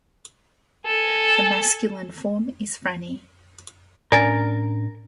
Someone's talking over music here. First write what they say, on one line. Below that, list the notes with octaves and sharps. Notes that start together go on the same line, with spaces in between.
The masculine form is Franny.
A4 G#5
A2 C#4 D4 A#4 D5 G#5 A6